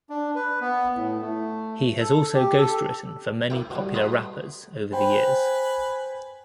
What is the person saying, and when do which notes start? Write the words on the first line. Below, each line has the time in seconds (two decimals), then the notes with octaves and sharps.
He has also ghostwritten for many popular rappers over the years.
0.10 D4
0.35 B4
0.61 B3
0.96 A2
1.22 A3
2.00 A4
2.34 G4
2.58 A4
3.50 A#3 E4 G5
3.71 B2 G3
3.94 B2 A3 B4 C6 D#6
4.92 B4 C5 G5 G#5